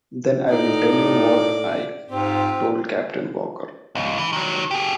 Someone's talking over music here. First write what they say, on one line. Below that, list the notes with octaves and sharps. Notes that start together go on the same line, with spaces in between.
Then I will tell you what I told Captain Walker.
A2 D#4 D5
G#2 C4 F4 G4
C#2 G#2
E3
D#3 F#3
G4 G#4